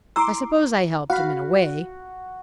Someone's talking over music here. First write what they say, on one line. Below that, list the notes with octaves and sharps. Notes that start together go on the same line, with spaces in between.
I suppose I helped him in a way.
E4 A#5 C6 D6 E6
F#4 F5 B5